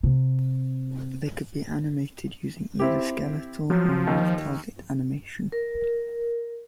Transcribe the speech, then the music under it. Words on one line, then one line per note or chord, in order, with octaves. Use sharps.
They could be animated using either skeletal or morph target animation.
C3
C4 E4 G4
F3 F#3
D#2
A#4